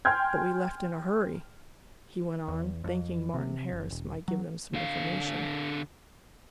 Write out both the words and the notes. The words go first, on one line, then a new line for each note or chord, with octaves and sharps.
"But we left in a hurry!" he went on, thinking Martin Harris might give them some information.
G5 G#5 C6 F6 G6 G#6
E2
F2
C3
F#1
E1
F#3
D3 F5